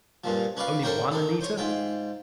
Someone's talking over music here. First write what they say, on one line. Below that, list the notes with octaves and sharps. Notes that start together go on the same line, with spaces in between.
"Only one, Anita?"
G2 A#2 F3
C#4 B4 D5 F5
A4 A#4 C5 C#5 G5 A#5
A4 A#4
C5 C#5
G#2 F4 G5